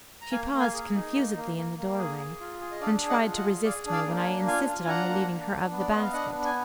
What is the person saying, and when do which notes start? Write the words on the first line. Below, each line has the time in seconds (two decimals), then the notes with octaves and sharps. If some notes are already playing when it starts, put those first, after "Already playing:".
She paused confusedly in the doorway, and tried to resist me when I insisted on relieving her of the basket.
0.22 A#5
0.32 A#3 F5 G#5
0.53 A#3
0.59 F5 G#5
0.74 G#4
0.95 D#4
1.15 A#3
1.36 A#3
1.57 A#3
1.78 A#3
1.98 G#4
2.18 G#4
2.40 F4
2.60 G#4
2.72 D#5
2.81 D4 D5 F5
3.02 G#4
3.09 D#5 F#5
3.22 F4
3.36 D#5 F#5
3.43 G#4
3.64 G#4 D5 F5
3.86 D4
3.92 D5 F5
4.06 A#3
4.19 F5 G#5
4.27 D4
4.47 F4 F5 G#5
4.67 F4
4.85 G#5
4.88 D4 F#5 A#5
5.09 A#3
5.31 D4
5.51 D4
5.72 B3
5.80 D5
5.90 B3 D#5
6.02 F5
6.13 D4 D#5 F#5
6.34 B3
6.45 G#5